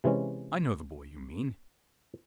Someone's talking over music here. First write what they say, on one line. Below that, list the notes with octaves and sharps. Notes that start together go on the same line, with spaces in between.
I know the boy you mean.
C3 E3 G#3 C#4